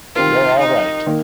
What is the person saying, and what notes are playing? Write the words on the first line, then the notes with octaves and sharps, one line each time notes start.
You're all right.
D#3 C4 F4 G4 A#4
D#4
D#3 A#3